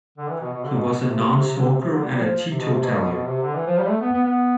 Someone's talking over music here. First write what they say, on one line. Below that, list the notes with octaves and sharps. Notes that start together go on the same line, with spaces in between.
He was a non-smoker and a teetotaller.
D3
E3
B2
B2
D3
B2
B2
B2
C3
C3
C3
D3
C3
C3
D3
G3
F3
C3
B2
C3
B2
B2
B2
C3
D3
E3
F3
G3
A3
B3
B3
B3